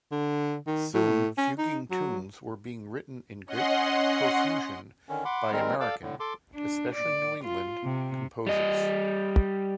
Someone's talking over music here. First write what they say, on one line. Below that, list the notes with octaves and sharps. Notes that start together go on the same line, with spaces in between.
Soon, fuguing tunes were being written in great profusion by American-especially New England-composers.
D3
D#3
A2
C#4
D#4
F#3
C#4 D#5 F#5 C6
D3 D#3 C#4
F#5 B5 C6 D6
D#3 G3 G#3 C4 A#4
A4 D5 F5 D6 E6
A2 D3
A4 C6 D6
D4
D5
F4
C3
G3 D#5